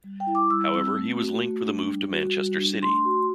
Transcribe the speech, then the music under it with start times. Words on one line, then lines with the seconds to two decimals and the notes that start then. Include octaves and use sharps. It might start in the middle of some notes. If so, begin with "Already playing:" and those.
However, he was linked with a move to Manchester City.
0.04 G3
0.20 G5
0.27 E4
0.35 D6
0.50 G3 E6
0.74 C4 E6
0.97 A3
1.20 F#4
1.43 A3
1.66 D4
1.89 G3
2.12 F#4
2.36 G3
2.59 D4
2.81 A3 C6
3.05 F#4